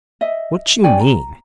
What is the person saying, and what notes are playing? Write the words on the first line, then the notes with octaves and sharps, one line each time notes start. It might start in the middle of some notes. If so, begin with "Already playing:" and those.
"What you mean?"
D#5 E5
C#4 D5 G5 G#5
A#5